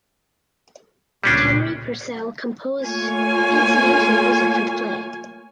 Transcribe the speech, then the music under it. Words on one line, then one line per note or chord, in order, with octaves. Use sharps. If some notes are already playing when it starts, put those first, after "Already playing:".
Henry Purcell composed incidental music for the play.
C#2 A#2 G3 C#4 D4
A3 A#3 F4 C#5 G#5